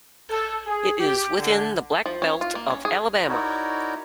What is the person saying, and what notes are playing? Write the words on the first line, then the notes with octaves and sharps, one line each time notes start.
It is within the Black Belt of Alabama.
A4
G#4
G4
D3
F3
C#4
F4
A#3
C#4
G#4
D#4 E4 F#4 A#4 C#5 D5